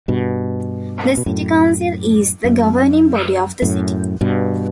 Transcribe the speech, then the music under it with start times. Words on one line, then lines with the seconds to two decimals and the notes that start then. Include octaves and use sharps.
The City Council is the governing body of the City.
0.08 G2 B2
1.17 B2
1.26 F#2 A2
2.44 F#2
3.62 F#2 A2
4.21 G2 B2